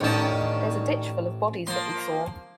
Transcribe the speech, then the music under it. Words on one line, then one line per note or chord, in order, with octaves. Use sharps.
There's a ditch full of bodies that we saw.
A1 D#3 C#4 D4 A5
F3 A#3 C6